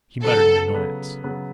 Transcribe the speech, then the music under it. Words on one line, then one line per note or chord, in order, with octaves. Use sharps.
He muttered in annoyance.
C#3 F#3 B3 A4
C#3 F#3 B3
C#3 F#3 B3